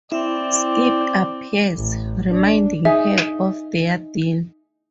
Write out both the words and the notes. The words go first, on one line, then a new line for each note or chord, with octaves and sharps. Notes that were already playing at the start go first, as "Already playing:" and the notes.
Skip appears, reminding her of their deal.
C4 E4 D5
A1
D4
D#4 G#4 E5